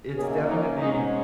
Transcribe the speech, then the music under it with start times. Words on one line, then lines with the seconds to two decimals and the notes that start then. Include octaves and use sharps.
it's definitely
0.16 F#2 D#3 A#3 C#4 G#4
0.47 D#4
0.78 G#2 G#3 C#4 D#4